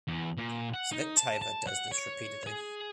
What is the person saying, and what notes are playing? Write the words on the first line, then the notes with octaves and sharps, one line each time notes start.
Tsvetaeva does this repeatedly.
E2
A#2
F#5
D#4
A5
A5
F#5
C#5
G#4